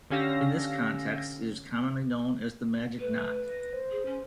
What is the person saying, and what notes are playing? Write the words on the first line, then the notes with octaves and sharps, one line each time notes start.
In this context, it is commonly known as "the magic knot".
D3 C#4 G4 F5 E6 A#6
A3 B4
A#6
C5
G#4
C#4